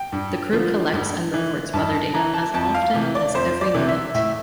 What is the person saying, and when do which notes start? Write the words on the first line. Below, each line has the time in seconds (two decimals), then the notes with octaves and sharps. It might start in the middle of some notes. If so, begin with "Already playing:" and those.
The crew collects and reports weather data as often as every minute.
Already playing: G5
0.12 G2
0.53 D3 F3
0.93 G2
1.34 E3
1.73 G2 A5
1.94 A5
2.13 E3 A#5
2.33 A5
2.54 F2 A5
2.75 F5
2.94 C3 E3
3.15 D5
3.34 F2 C5
3.61 D5
3.74 C3 E3
3.88 E5
4.15 A2 E5